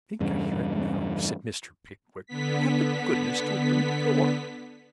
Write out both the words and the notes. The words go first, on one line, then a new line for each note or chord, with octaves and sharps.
'I think I hear it now,' said Mr. Pickwick. 'Have the goodness to open the door.'
E2 G2 C#3
D3 B3 B6